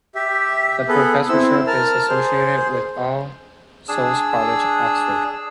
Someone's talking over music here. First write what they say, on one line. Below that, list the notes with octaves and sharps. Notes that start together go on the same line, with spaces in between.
The professorship is associated with All Souls College, Oxford.
G4 E5
B3 G#4 A4 B4
C4 E4 E6
A#4 A5 F6
G#4 C5
D4 G#4 E6